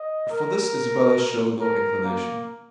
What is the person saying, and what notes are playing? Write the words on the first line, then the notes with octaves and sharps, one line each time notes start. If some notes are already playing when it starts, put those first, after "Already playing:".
But for this Isabella showed no inclination.
Already playing: D#5
A#4
A#4
A#3